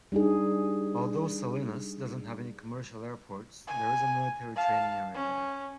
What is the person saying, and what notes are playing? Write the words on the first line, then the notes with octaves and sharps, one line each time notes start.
Although Salinas doesn't have any commercial airports, there is a military training area there.
G3 D4 D#4 G#4
G#5
F5 A5
C#4